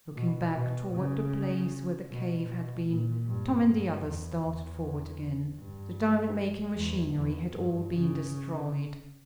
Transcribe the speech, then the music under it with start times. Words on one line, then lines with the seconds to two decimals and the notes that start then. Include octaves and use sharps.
Looking back toward the place where the cave had been, Tom and the others started forward again. The diamond-making machinery had all been destroyed.
0.15 B2
0.55 B2
0.93 C#3
2.10 B2
2.48 B2
2.88 A#2
3.27 G2
3.66 G2
4.04 E2
4.43 E2
5.59 G2
6.75 E2
7.15 E2
7.53 G2
7.93 C#3